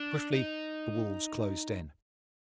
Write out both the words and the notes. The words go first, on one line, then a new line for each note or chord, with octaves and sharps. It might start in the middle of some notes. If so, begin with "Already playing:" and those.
Swiftly the wolves closed in.
Already playing: D4
D#4